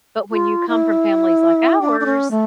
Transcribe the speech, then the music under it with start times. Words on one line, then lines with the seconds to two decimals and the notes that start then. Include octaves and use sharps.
but when you come from families like ours
0.31 F4
0.68 E4
1.81 D4
2.00 D4
2.05 C#4
2.31 A3